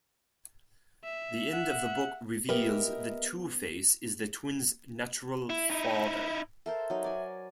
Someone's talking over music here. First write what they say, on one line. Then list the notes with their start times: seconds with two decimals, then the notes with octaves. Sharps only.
The end of the book reveals that Two-Face is the twins' natural father.
1.04 E5
1.53 F#5
2.49 B3 G4 A#4 B4 D#5 E5
5.50 E4
5.70 D#4 E4
6.66 A4 A#4 C5 E5
6.90 F#3 D#4
7.04 D5 G#5